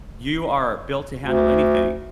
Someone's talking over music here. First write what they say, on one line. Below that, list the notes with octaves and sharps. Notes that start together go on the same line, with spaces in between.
You are built to handle anything.
D2